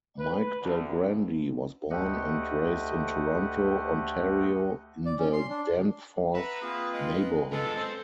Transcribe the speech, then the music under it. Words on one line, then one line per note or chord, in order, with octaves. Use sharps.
Mike Del Grande was born and raised in Toronto, Ontario in the Danforth neighbourhood.
B4
D2
D2 A3 G4 D#5 F#5
D5
C#4
C6
D4
B4 E5 F#5 A#5
A#3 C4 F4 G#4
G#3
G#3 B3 F4 A4
C4 C5